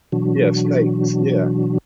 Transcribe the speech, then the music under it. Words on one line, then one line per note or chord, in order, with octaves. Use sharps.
Yeah, snakes. Yeah.
B2 E3 F#3 D4 F#4